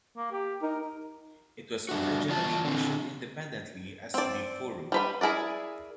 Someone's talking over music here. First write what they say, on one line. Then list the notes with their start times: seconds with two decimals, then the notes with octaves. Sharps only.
It was originally issued independently as "Bi Furu".
0.17 A#3
0.32 G4
0.62 D#4 A#4
1.89 G3 D4 F#4
2.29 E2 F4 D5 A5
2.65 D3 C4
4.14 C4 D5
4.92 G3 B4 B5
5.21 E4 G#4 A#4 D5